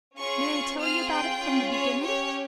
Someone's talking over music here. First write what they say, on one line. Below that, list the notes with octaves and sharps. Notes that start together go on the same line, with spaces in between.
'May I tell you about it from the beginning?'
C#4 F4 G#4 C#6
C4 F4 G#4 F6
G5
C#4 F4 G#4
C#5
C#4 G4 C#5